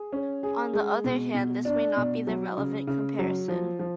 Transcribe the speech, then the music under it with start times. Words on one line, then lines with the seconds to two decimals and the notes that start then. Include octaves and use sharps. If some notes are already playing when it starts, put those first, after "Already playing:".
On the other hand, this may not be the relevant comparison.
Already playing: G#4
0.13 C#4
0.43 G#4
0.73 G#3
1.04 B2
1.34 B2
1.65 D4
1.96 B2
2.27 F#3
2.57 C#3
2.87 C#3
3.19 F#3
3.48 F3
3.79 F3